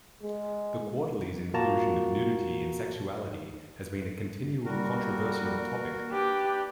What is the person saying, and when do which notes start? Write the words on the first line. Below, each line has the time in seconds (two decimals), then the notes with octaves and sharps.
The "Quarterly"'s inclusion of nudity and sexuality has been a continual controversial topic.
0.23 G#3
1.54 A#2 A#3 F#4 A5 A#5
4.65 G3 A#3 F#4 A#4
6.11 D4 G4 B4 D5